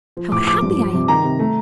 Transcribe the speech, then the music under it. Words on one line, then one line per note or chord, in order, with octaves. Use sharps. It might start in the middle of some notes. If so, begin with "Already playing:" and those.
How happy I am!
F3
A2 D6
F3 D6
G2
F3
C3
D#3 A#5
C3
A3